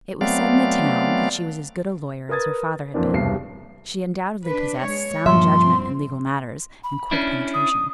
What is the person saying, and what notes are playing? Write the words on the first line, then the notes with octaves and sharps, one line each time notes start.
It was said in the town, that she was as good a lawyer as her father had been; she undoubtedly possessed sound judgment in legal matters, and quick penetration.
F#3 A3 B3 C4 D5 F5
A#4 B4 D#6 G#6 A6
F2 E3 A#3 C4 D4
E1 C2 G2 C7
D4 B4
G#3 C#5
G2 A#2 F3 E5 C6
C4
B5
C#4 D4 E4
D#6